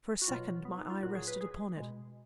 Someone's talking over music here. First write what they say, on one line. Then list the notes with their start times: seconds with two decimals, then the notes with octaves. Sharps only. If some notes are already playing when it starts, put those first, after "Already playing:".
For a second my eye rested upon it.
0.22 F#4
0.28 B2 F#3 F4
0.65 B3
0.77 D#4
0.90 F4
1.03 A#2 F#4
1.06 F#3
1.15 G#4
1.28 B4
1.41 G#4
1.77 B2 G#3